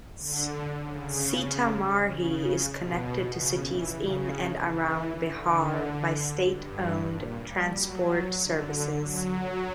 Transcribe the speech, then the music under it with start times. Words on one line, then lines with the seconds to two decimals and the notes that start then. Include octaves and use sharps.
Sitamarhi is connected to cities in and around Bihar by state-owned transport services.
0.19 D3
0.81 C#3
2.08 C#3
2.70 B2
3.34 C#3
3.66 E3
3.96 C#3
4.60 E3
5.23 D3
6.49 G2
7.12 A#2
7.44 G3
7.75 F#3
8.38 D3
9.01 F#3